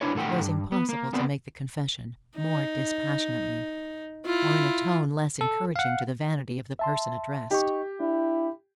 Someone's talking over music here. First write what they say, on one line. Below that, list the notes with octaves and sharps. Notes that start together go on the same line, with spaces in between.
It was impossible to make the confession more dispassionately, or in a tone less encouraging to the vanity of the person addressed.
D4 E4 B4 C#5
A2 D3 A4 F#5 G5
G2
B3
A#3
B3 C4 B4 D5
D#4
E4 F4
A4
F5 F#5
E5 A5 C6
D#4 G4 D#5 C#6
D4 E4